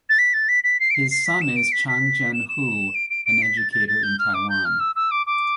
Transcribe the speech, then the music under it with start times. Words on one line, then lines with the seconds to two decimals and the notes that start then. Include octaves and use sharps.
His son is Chang Jen-Hu, an educator in Taiwan.
0.09 A6
0.18 B6
0.34 A6
0.48 B6
0.64 B6
0.80 C7
0.90 D7
0.94 C7
1.11 C7
1.26 B6
1.41 E7
1.56 D7
1.72 B6
1.88 B6
2.33 E7
2.49 E7
2.95 D7
3.10 D7
3.26 D7
3.42 B6
3.57 A6
3.72 A6
3.88 A6
4.03 G6
4.19 F6
4.34 D6
4.49 G6
4.65 F6
4.80 E6
4.95 E6
5.11 D6
5.26 D6